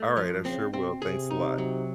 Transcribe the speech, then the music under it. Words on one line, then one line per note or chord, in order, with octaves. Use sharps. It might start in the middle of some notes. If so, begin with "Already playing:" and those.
Alright, I sure will, thanks a lot.
Already playing: A3
F3
C#3 C4
B2 C4
C3 G#4
D#4
F#3